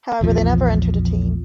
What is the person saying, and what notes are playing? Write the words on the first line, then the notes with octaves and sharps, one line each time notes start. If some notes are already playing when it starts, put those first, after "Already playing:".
However, they never entered a team.
A#1 E2 F3